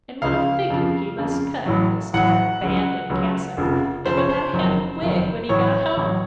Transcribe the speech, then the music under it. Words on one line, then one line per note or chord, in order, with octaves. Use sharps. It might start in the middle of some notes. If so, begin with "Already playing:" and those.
And what a figure he must cut in his tattered band and cassock, and without a hat and wig, when he got home.
C#2 C#3 F3 F5
F2 C#3 F3
F2 C#3 F3
A1 A2 F#3
A1 A2 F#3 F#5
C#2 C#3 F#3
C#2 C#3 F#3
F1 F2 C#3 F3
F1 F2 C#3 F3 C5
C#5
C5
F#1 F2 D#3 F#3
F#1 F2 D#3 F#3
A1 A2 F#3 C#5
A1 A2 F#3